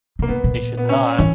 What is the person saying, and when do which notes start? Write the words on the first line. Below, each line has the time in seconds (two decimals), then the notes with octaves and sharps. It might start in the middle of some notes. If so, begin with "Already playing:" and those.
they should not
0.19 B2 A#3
0.28 C#3 B3
0.44 A#2
0.77 B3
0.89 C#4
1.18 E3 C#4